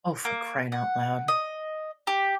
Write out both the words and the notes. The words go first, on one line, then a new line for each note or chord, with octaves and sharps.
Oh, for crying out loud.
A#3
F#5
D#5
G4